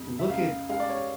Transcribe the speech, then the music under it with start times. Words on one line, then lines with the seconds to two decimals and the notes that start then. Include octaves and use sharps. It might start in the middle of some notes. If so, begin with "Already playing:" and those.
Look at
Already playing: F2 C3
0.19 E5
0.29 C#2 F5
0.69 G#3 F5
0.80 D5
0.90 C#5